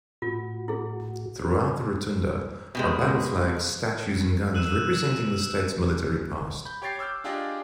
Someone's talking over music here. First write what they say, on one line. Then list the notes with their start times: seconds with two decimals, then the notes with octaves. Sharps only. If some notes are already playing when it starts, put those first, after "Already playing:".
Throughout the rotunda are battle flags, statues, and guns representing the state's military past.
0.22 A2 F4 F#4
0.68 E4 G#4
2.75 B2 G3 G#3
4.55 E6 F#6 D#7 E7
6.65 B5 G6
6.82 G4 C#5 G5 A6 C7
6.99 D6 E6 F6 G6
7.24 D4 F4 G4 G#4 D5 D#5